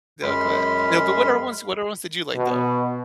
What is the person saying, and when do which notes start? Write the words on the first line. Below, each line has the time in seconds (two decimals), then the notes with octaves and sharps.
No, go ahead. Yeah, but what other ones what other ones did you like, though?
0.23 F#2 G#3 B5 C6 F6
2.34 B2